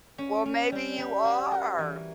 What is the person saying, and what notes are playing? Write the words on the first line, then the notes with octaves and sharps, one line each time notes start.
Well, maybe you are.
C#4
C#4
G3
G3
F#4
A#4
E3